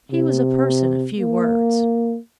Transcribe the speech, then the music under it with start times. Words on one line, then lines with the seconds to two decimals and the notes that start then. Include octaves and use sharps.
He was a person of few words.
0.11 C3
1.19 A#3